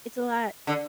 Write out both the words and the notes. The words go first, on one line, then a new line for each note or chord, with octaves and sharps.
it's a lot
D3